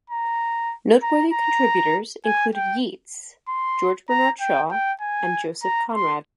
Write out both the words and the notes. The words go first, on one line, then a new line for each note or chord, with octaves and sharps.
Noteworthy contributors included Yeats, George Bernard Shaw, and Joseph Conrad.
A#5
A#5
A#5
G#5
G5
C6
A#5
G5
G5
G#5
A#5
C6